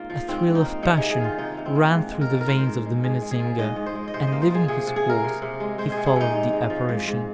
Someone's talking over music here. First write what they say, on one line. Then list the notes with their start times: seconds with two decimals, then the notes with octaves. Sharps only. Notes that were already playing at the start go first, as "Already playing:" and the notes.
A thrill of passion ran through the veins of the minnesinger; and, leaving his horse, he followed the apparition.
Already playing: G#2 A#3 F4
0.10 F3
0.28 G#2 C4
0.46 G#2
0.55 D#4
0.65 A#3
0.83 C3 D#4
0.97 A#3 G#4
1.10 G#4
1.20 D#3 F4
1.38 C3 D#4
1.57 C3
1.66 C4
1.75 A#3
1.93 G#2
2.11 G#3
2.21 A#4
2.30 F3
2.41 A#4
2.48 G#2 C5
2.67 G#2
2.85 G#3
3.03 G#2 G#4
3.22 G#3
3.31 G#4
3.40 F3
3.58 G#2 D#5
3.76 G#2
3.86 C5
3.95 G#3
4.08 D#5
4.14 C3 C5
4.27 D#5
4.32 A#3
4.42 C5
4.50 F3 G#4
4.68 C3 G#4
4.87 C3
4.96 G#4
5.06 A#3 A#4
5.24 C3
5.42 C3
5.60 G#3
5.78 G#3 C5
5.92 C3 G#4
6.06 G#4
6.16 C3 D#4
6.34 G#2
6.53 G#3
6.70 F3
6.89 G#2
7.08 G#2